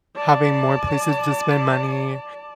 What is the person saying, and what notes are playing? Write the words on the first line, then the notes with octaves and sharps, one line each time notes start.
having more places to spend money,
D5 A5